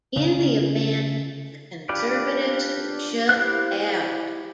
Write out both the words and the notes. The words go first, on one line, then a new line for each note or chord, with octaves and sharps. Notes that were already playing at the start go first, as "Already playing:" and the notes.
In the event, the Conservatives were shut out.
C#3
D4 F4 G4 B4 D5
E4 G4 C5 F5 F#6